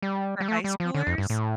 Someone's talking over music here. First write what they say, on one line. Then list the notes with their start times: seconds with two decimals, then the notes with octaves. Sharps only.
for high schoolers
0.02 G3
0.40 G3
0.48 A3
0.64 G3
0.80 F3
0.94 D3
1.07 F2
1.18 G2
1.30 A2